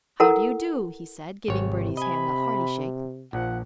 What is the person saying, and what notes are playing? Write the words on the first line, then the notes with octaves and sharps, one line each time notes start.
"How do you do?" he said, giving Bertie's hand a hearty shake.
E4 A4 A#4 F#5 A#5
G#1 C3 C#5
D#5 G#5 B5
A#1 F3 F#5